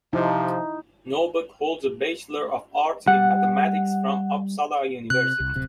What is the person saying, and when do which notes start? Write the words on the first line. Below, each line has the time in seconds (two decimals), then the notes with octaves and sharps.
Norberg holds a Bachelor of Arts in mathematics from Uppsala University.
0.13 C3 F3 D#4 E4
3.08 G3 F#5
5.10 C3 F#6
5.40 C2
5.53 D1 C3